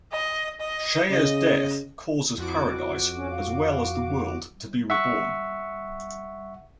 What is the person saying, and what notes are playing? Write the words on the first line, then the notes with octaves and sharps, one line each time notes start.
Cheza's death causes Paradise, as well as the world, to be reborn.
D#5
D#5
C#3 D#5
F2 E4 F#4 D6
C#4
F5
E5 F#5 C#6